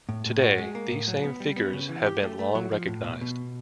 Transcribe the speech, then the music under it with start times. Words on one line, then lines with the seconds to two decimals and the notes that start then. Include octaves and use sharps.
Today, these same figures have been long recognized.
0.09 A2
0.26 A2
0.42 F#4
0.58 G#3
0.75 A#3
0.91 A2
1.07 F#3
1.24 B3
1.40 G3
1.57 B3
1.73 C#3
1.89 E3
2.06 G4
2.22 A3
2.39 A3
2.55 F#3
2.71 F3
2.88 A2
3.04 B2
3.21 B2